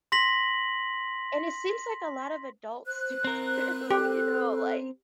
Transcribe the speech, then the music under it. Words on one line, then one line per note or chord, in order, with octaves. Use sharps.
And it seems like a lot of adults do too, you know, like,
C6 A#6 B6 F#7
C5 F#6
C4 A#4
G4 A4